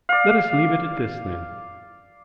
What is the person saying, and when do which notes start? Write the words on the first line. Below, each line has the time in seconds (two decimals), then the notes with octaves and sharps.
Let us leave it at this then.
0.09 D5 F5